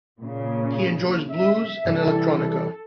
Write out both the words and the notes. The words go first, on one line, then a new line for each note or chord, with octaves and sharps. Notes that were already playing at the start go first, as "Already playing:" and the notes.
He enjoys blues and electronica.
A#2 C#3
E5
C3 E3 G3 A4